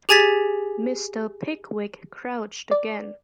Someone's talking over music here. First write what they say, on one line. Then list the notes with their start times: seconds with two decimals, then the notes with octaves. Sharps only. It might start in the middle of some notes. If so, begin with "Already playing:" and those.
Mr. Pickwick crouched again.
0.09 G4 G#4 G#5 G#6 A6 B6
2.71 D5